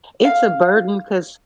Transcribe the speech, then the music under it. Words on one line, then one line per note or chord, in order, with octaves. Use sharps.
it's a burden, 'cause
F5